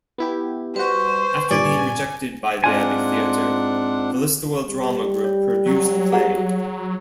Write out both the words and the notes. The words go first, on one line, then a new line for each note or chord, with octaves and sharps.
After being rejected by the Abbey Theatre, The Listowel Drama Group produced the play.
B3 E4 G4
G3 F#4 B4 C5 C#6
G2 A#2 D5 G#5
G#2 C4 D4 F4 F#5 G#5
G3
C#5
F#3
G#4 F#5 A#5